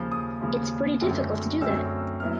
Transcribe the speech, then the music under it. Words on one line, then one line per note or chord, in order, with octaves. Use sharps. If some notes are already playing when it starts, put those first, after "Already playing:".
It’s pretty difficult to do that.
Already playing: D#2 C#3 F3
D#6
D#2 C#3 F3
F#2 D3 F#3 A3 C4
F#2 D3 F#3 A3 C4 E6
A#2 F#3 B3 E4 F6